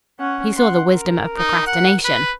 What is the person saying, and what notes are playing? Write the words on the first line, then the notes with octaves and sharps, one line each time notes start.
He saw the wisdom of procrastination.
C#4 F#5
F#5 C6
A#4
D#4
F#5
B4